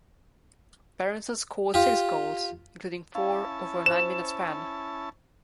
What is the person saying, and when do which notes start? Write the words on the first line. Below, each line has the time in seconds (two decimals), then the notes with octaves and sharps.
Berenson scored six goals, including four over a nine-minute span.
1.74 F4 G4
3.15 C#4 E4 F5 A5
3.86 C5 F#6 E7